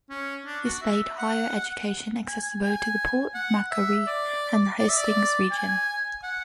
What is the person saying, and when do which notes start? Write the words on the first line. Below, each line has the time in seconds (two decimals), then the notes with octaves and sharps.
This made Higher Education accessible to the Port Macquarie and the Hastings region.
0.10 C#4
0.46 D4
0.64 F#4
0.82 E5
1.18 F#5
2.27 G#5
2.63 G#5
3.34 F#5
3.71 E5
4.07 D5
4.79 D5
4.89 E5
4.97 D5
5.51 G#5
6.23 F#5